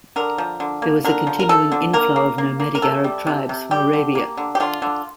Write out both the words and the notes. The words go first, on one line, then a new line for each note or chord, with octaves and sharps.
There was a continuing inflow of nomadic Arab tribes from Arabia.
D3 A#4
F3
D3
A#3
D3 A#4
F3
A#4
F3 A4
D3
A#3 A#4
A#3
A#3
A#3
A#4
C3 A4
G3
C3
C3
G3 G4
D3
A#3
D3
G4
D3 F4
D3